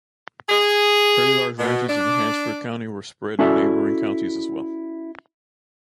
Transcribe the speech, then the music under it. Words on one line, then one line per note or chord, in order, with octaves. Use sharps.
Early large ranches in Hansford County were spread in neighboring counties as well.
G#4
B2
D4
C#4 E4 F#4 A4 D5 E5